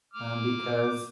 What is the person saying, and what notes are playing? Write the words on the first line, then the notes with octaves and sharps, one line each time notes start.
Um, because
D6 F6